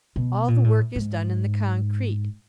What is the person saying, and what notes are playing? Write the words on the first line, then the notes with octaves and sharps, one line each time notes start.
All the work is done in the concrete.
B2
A#2
A2
G#2